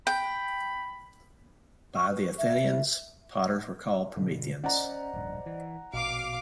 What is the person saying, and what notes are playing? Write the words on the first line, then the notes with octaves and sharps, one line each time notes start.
By the Athenians, potters were called Prometheans.
G5 B5
C#6
B4
E5
G2 B2 D3
C#4 C5 D5 D#5 F#5 A#5
D1 A#1 G2
E3
A#1 B2 F5 D6